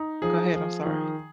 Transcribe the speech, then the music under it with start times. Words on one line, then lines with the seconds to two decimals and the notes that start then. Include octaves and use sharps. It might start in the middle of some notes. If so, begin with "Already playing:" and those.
go ahead, I'm sorry.
Already playing: D#4
0.22 F3 G#4
0.54 F3
0.86 D#3